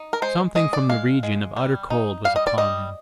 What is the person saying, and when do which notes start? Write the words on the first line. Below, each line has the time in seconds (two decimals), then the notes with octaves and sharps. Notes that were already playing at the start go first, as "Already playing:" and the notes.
Something from the region of utter cold was upon him.
Already playing: D#4
0.13 A#4
0.22 G#3 C5
0.55 G#3 D#5
0.73 D5
0.90 G#3 F5
1.23 G#3
1.57 G3
1.90 D#4
2.25 G3 F5
2.36 D#5
2.47 D5
2.58 G3 D#5